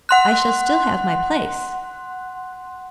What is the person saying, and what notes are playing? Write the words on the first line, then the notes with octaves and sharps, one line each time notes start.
"I shall still have my place."
F#5 C6 F#6